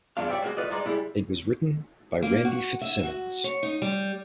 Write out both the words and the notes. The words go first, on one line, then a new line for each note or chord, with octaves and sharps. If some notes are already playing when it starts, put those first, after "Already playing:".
It was written by Randy Fitzsimmons.
E2 G2 D4 F4 F5
G4 C#5 D5 E5 G5
G#3 A#3 F#4
A3 F4 B4 D5 D#5
G2 G#3 D#4 D5 C6
G3 G#3 E4
A#3
F#4
E5
F#4
C#5
D#4
G3